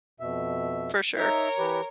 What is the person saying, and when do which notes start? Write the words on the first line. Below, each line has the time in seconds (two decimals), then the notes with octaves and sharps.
For sure.
0.20 F2 B2 E5
1.17 D#4 A#4 C#5 E5
1.58 E3 G4 B4